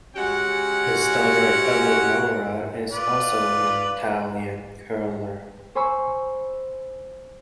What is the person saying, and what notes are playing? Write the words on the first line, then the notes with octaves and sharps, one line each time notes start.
His daughter Eleonora is also an Italian curler.
G#3 C#4 F#4 G4 F#5
F4 B4 D5
C5 G#5 B5 C#6 E6